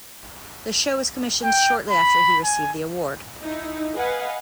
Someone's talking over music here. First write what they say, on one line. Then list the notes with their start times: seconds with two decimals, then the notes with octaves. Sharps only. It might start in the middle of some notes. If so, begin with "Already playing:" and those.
The show was commissioned shortly after he received the award.
1.44 G5
1.90 B5
2.45 G#5
3.40 D#4 E4
3.96 B4 D#5 F5 F#5 G#5